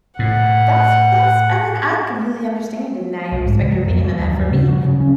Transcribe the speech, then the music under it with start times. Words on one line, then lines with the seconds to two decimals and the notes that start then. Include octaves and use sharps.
That's that's I mean, I completely understand, and I respect your opinion on that For me,
0.19 A2 F#5
3.32 B1
3.46 G#2
3.60 C#2
3.72 F#3
3.87 F2
4.05 F#3
4.19 D#2
4.33 G2
4.52 C#3
4.68 F#3
4.85 C#3
5.01 C#4